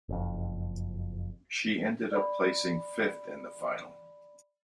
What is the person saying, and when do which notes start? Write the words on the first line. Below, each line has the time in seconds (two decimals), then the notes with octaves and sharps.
She ended up placing fifth in the final.
0.09 F#1 F2
2.11 D5 B5